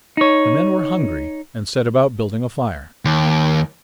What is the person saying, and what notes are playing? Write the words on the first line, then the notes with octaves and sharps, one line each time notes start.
The men were hungry and set about building a fire.
D#4 C#5
D#2